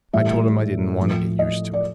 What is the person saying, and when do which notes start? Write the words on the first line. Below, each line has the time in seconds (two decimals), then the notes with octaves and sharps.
I told him I didn't want to get used to it.
0.13 A2 E3 G3 E5
0.97 A2 F3
1.39 D#5
1.73 D5